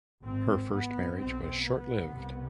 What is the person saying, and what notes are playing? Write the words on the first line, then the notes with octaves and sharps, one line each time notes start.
Her first marriage was short-lived.
G#1 G#2 C4
B3
B1 B2 C4
B3
C2 C3